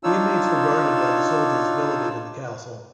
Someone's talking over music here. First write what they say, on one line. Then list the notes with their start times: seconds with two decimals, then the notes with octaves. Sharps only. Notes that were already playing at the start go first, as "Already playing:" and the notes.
The inmates were guarded by the soldiers billeted in the castle.
0.04 D4 D#4 F4 C#5 E6